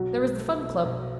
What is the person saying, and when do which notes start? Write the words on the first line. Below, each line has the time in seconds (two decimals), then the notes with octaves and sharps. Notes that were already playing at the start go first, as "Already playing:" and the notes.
There was the Fun Club.
Already playing: B1 F#3
0.16 B1
0.39 A3
0.62 B2
0.85 B1